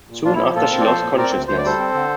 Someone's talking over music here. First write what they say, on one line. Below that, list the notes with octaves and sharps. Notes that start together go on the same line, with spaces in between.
Soon after she lost consciousness.
A#2
A#2 D4 F4
E4
F3
A#2 F4 A4
C4
D5
F3 A4 C5
A#2
C4 A#4 D5
D2
D2 C5
D5
G3 A4 C5
C4
D3